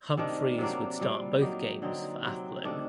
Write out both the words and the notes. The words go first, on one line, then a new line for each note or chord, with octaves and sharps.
Humphries would start both games for Athlone.
C3 D#3 A3 D4
C3 F#3 A#3 D4
A#2 G3 C4
F#3 A#3 D#4 G4
D3 F#3 C4 D#4
C3 F#3 C4
C3 D#3 A3 D4